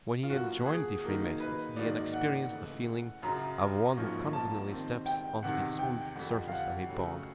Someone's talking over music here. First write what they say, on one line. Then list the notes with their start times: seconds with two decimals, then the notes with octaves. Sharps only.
When he had joined the Freemasons he had experienced the feeling of one who confidently steps onto the smooth surface of a bog.
0.23 F4
0.30 G2 D3 F#3 A#3 F#4
0.66 G#4
1.04 D#3 F#3 A#3 D#4
1.40 B4
1.76 G#2 D#3 F#3 A#3 D#4 D5
2.13 F#5
2.49 C#3 E3 A3
3.23 F#2 C#3 F#3 A#5
3.97 G#2 F3 A#3 C#4 F#4
4.33 A5
4.70 D#3 G3 C4
5.06 G5
5.43 E2 C3 D#3 F#5
5.79 G5
6.15 F2 D3 G3
6.48 F5
6.52 F#5
6.89 C#3 F#3 A3